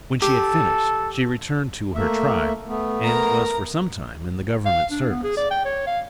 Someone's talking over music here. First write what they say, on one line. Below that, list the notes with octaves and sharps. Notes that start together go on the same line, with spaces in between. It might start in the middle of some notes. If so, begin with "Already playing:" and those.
When she had finished, she returned to her tribe, and was for some time in the Government service.
G4 A4
A3 A#3 E5
A3 B3
A#4 A#5
F5
D4
B3
G#4
D5
G5
C#5
F5